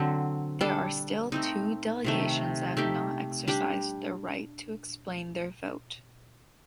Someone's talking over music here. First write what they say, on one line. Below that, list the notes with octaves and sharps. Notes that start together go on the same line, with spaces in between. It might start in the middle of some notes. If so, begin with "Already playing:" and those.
There are still two delegations that have not exercised their right to explain their vote.
Already playing: D3 F#3 C4
G3 D4 A4
A3 C4 D#4
C3 D#3 A3
A3 D#4 G4
G3 D4 G4